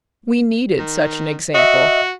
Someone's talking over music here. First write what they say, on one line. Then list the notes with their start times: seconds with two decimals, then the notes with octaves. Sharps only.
We needed such an example.
0.79 D#3
1.54 F#4 D#5 E5